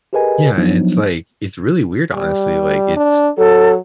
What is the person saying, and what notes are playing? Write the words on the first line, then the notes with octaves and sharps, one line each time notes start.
Yeah. And it's, like, it's really weird, honestly. Like, it's
G4 G#4 A#4 B4 D#5 G#5
F3 F#3 B3 D4 D#4
G3
D4
F#3 A4